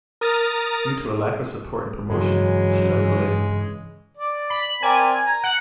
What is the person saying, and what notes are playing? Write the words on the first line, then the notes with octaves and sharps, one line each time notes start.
Due to a lack of support and promotion, she left the label.
A#4 D#6 F6 A6 A#6
G2 C#3 E3 F#3 G#3
D5
B5
C4 A#4 D5 G#5
A#5
F#5